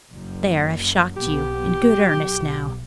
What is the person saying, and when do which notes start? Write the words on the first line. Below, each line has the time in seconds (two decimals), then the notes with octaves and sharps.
There, I've shocked you in good earnest now.
0.12 F#1 F#2
1.17 B1 B3 G4
2.10 B1